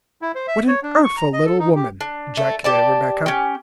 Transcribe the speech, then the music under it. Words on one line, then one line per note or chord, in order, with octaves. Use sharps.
"What an artful little woman!" ejaculated Rebecca.
E4
C5
E5
C#5
D4
C#6
A#5
D#5
A4
D#4
G4
D4
A3
G4 D5 A5
C#4 G4